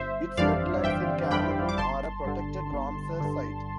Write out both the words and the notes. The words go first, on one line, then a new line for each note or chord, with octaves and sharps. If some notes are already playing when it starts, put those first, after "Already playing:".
Its wetlands in Cameroon are a protected Ramsar site.
Already playing: G1 C5 E5
F2 E3 G3 D4 D5 F5
G1 E5 G5
F2 E3 G3 D4 G5 B5
D6
G1 A5 C6
G2 D3
G1
G2 D3